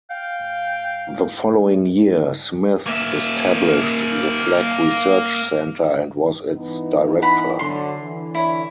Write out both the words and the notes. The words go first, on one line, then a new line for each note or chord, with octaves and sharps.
The following year, Smith established The Flag Research Center and was its director.
F5 G5
A#3 E5
E3 B3 D#4
F#5 B5
D3 F#3 C6
D3 E3
E4 C#5